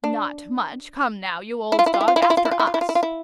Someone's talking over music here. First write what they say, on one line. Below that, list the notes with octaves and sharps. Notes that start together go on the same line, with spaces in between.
"Not much, come now, you old dog, after us!"
D4
E4
F4
E4
F4
E4
F4
E4
F4
E4
F4
E4
F4
E4
F4
E4
F4
E4
F4
E4